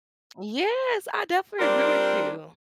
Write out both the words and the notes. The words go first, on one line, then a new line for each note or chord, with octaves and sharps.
Yes, I definitely agree with you.
G3 C4 D4 F4 A#4 D5